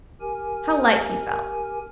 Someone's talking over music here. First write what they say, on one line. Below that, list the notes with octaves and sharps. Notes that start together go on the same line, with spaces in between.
How light he felt!
G4 A#4 G#5